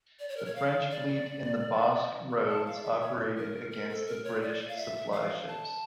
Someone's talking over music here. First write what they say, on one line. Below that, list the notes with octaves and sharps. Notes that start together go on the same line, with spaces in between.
The French fleet in the Basque Roads operated against the British supply ships.
D5
C#5
A#4
C#5
F5
D5
D5
A5
F5
D5
E5
C#5
A#4
A#4
A4
A#4
C#5
D5
F5
E5
F5
A5